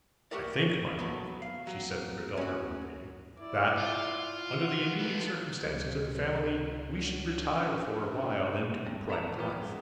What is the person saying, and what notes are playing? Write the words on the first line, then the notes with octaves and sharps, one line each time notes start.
"I think, my love," she said to her daughter one day, "that, under the immediate circumstances of the family, we should retire for a while into private life."
A3 A#3 F#4 G4 A#4 D5
F#3 A3 B3
F5
F#3
C#4 F#4
E4 D5
F4
F#4 F#5
B3 A4
C#2 C3 G3
F4
C#4 D4 F#4
G2
B3 E5 F5 A5 A#5
D#3
A#2 E3 F3 B3 G4
F#2 G#3